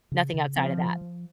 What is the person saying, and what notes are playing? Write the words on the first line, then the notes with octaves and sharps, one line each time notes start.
nothing outside of that.
C#3
C#3
F3 C4
F3
F3